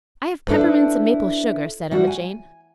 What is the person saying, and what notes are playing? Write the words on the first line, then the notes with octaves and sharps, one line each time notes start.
"I have peppermints and maple sugar," said Emma Jane.
D4 E4 A4 B4 C5
G3 E4 F#4
G#5